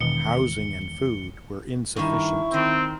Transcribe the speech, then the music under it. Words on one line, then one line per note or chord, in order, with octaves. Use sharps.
Housing and food were insufficient.
E1 B2 D#3 C#7 G7
G2 D#3 E4 C#6
D#3 C4